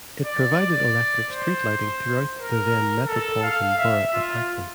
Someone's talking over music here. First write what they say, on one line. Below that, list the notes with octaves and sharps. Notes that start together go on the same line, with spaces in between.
It provided electric street lighting throughout the then Metropolitan Borough of Hackney.
D5
D5
C5
A#4
A4
F5
E5
F4